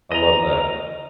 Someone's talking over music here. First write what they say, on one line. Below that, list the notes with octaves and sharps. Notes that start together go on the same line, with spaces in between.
I love that.
D#5 A#5